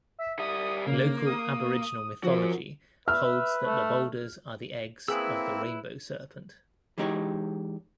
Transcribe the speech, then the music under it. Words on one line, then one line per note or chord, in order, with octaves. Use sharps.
Local Aboriginal mythology holds that the boulders are the eggs of the Rainbow Serpent.
E5
G3 E5 D#6
C#3 A#3
D#6
F3 F#4 A#4
B4 E5 F6
A3
A#3 C4 E4 G#4 B4 E6
E3 G#3 D#4 G4 C#5